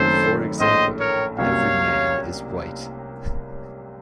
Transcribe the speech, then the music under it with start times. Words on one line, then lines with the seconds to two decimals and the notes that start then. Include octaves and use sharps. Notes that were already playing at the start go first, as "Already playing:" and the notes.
For example, 'every man is white'.
Already playing: F#1 F#2 D#3 A3 C4 A4 C5
0.60 A#1 A2 A3 C5 D#5
0.99 A#4 C#5
1.38 C2 C3 F#3 A#3 C#4 C#5 F5